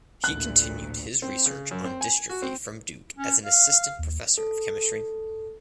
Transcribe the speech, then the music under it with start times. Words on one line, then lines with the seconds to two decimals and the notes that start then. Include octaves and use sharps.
He continued his research on dystrophy from Duke as an assistant professor of chemistry.
0.24 A1 D2 A#2 F#6
1.22 C4
1.46 C#3
1.71 F#2
1.84 C4
2.01 G#5
2.29 F#4
2.42 C4
3.17 C#4
3.45 F5
3.99 D#2
4.38 A4